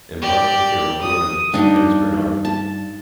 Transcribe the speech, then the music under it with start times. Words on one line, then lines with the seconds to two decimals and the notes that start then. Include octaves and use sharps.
Embarked on "Karel Doorman" was Prince Bernhard.
0.22 G4 D5
1.01 D#6
1.54 G2 D4 D#4
2.45 A5